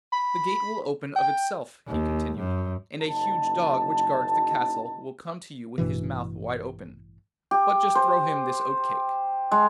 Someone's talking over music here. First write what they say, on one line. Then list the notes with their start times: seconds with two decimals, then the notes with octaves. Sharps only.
'The gate will open of itself,' he continued, 'and a huge dog which guards the castle will come to you with his mouth wide open, but just throw him this oat cake.
0.13 B5
1.16 G5
1.88 D#2
2.38 F#2
3.02 F#1 D#4 A5
5.78 A1 G2 B2 E3
7.51 G4
7.95 C5
9.51 G#3